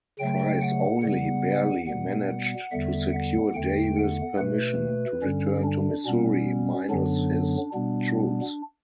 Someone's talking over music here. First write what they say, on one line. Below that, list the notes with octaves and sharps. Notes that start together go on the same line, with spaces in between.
Price only barely managed to secure Davis's permission to return to Missouri-minus his troops.
C#3 F#3 A3 G5
F#5
C#3 G3 B3 F#5
B2 G3 B3 F#5
E2 D3 G3 B3 E5
F#5
E2 D3 A3 G5
F#5
B2 A3 B4
G2 D3 G3 C#4
D4
B2 G3 B3 C#4
F#2 D3 F#3 B3 D4
B2 G3 B3 D4